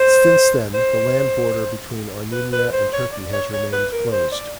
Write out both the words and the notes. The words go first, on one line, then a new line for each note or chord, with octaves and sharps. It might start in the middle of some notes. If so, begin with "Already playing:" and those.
Since then the land border between Armenia and Turkey has remained closed.
Already playing: C5
C5
B4
B4
C5
C#5
D5
C#5
C#5
B4
A#4
C5
D5